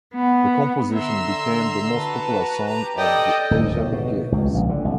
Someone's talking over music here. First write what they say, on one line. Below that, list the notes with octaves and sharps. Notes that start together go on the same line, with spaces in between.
The composition became the most popular song of the Asian Games.
B3
D3 E5 A#5 C6 E6
F#4 B4 A5
G4 A#5
A4 D5 D#5 G5
D1
A2
B2
C#2
A#1
D3
C2